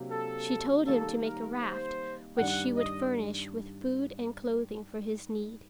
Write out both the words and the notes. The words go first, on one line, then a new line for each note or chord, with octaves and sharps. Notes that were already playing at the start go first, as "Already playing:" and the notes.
She told him to make a raft which she would furnish with food and clothing for his need.
Already playing: C3 F#3 A#3 D4 G4
A4
D#3 G3 A#3 D#4 A4
A#4
C5
G2 D#3 G3 D4 F#5
D#5